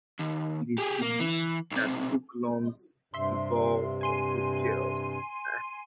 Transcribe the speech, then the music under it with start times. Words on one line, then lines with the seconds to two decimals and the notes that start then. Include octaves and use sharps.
It is believed that book lungs evolved from book gills.
0.20 D#2
0.78 G4 G#4
1.02 A#3
1.20 E3
1.71 B1 C3
3.14 G2 C3 E5 C6
4.01 G#5 C6 D#7